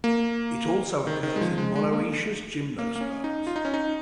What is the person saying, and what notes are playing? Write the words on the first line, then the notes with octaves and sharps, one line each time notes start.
It also occurs in monoecious gymnosperms.
A#3
D#3
D#3
G#3
F3
G#3
G#3
A#3
A#3
A#3
C#4
D#4
F4
D#4
C#4
D#4